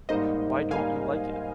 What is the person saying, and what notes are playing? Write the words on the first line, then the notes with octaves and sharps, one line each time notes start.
Why don’t you like it?
G#2 G3 A#3 D#4 C5 D#5
G3 A#3 D#4 F5 G#5